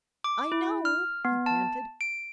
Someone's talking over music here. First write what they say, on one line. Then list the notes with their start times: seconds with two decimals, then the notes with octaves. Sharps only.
"I know!" he panted.
0.24 D6
0.52 E4
0.85 F6
1.25 B3
1.46 A5
2.01 D7